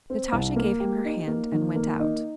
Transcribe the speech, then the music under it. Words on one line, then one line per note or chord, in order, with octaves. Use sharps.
Natasha gave him her hand and went out.
C4
C2
A#3
G4
D#4
A#3
D#3
A#3
D#4